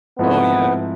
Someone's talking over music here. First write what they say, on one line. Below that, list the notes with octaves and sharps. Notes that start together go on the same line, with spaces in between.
Oh, yeah.
G#2 F3 A3 B3 C4 E4